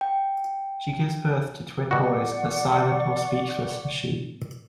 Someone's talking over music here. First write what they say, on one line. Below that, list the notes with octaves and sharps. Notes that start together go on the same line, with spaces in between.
She gives birth to twin boys as silent or speechless as she.
G5
B2 G3 F#4 D5 F#5 C#6 D6